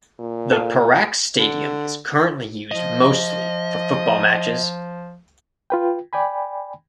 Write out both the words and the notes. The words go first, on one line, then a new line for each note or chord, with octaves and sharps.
The Perak Stadium is currently used mostly for football matches.
A#2
A4 F5
D3
F3 D#5
F4 B4 G5
D5 G5 G#5 B5